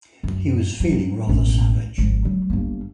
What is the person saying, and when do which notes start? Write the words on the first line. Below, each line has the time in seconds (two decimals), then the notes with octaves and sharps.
He was feeling rather savage.
0.23 F#2
0.80 F#3
1.27 E1 A1
1.98 G#1 F3
2.25 F#3
2.50 G1 A#3